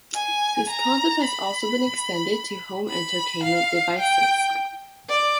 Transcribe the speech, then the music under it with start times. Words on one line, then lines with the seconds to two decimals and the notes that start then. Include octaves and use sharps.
This concept has also been extended to home entertainment devices.
0.15 G#5
0.70 A#5
1.25 B5
2.89 B5
3.44 F5
3.99 G5
5.09 D5